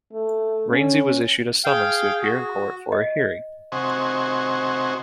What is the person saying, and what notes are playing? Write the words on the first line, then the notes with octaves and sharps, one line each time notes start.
Rainsy was issued a summons to appear in court for a hearing.
A3
C#4
G#4 F5 G5
F#4
D#5
C3 F#4 C5 D#5 G#5 C#6